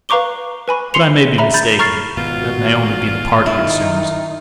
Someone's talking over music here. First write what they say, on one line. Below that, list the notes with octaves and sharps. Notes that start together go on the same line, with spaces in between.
But I may be mistaken; that may only be the part he assumes.
B4 F5 A#5 C#6 D6 G7
B4 G#5 B5 C#6
C6 C7 C#7 F7
E5 A#5 B5
A#5 B5 G6 A6
A#5 C#6 F6 A6 C7
G#1 B2 F4 F#4
D#3 D#4 E4